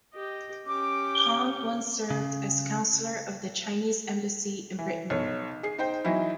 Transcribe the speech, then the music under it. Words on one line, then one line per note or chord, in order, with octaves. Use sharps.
Cong once served as counsellor of the Chinese Embassy in Britain.
G4 D#5
C#4 G4 D6
C#3
E3
B1 C#5
G#4 C7
D#4 C5 G5
E3 F#3 D#4 E4